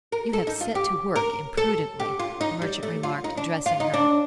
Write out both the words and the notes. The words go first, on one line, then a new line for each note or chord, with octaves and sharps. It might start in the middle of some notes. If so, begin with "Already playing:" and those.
"You have set to work imprudently," the merchant remarked, addressing her.
A#4
A4
D#4
F4
G4
A#4
A4
G4
F4
D#4
G3
A3
F4
D#4
D4
F4
D#4
D4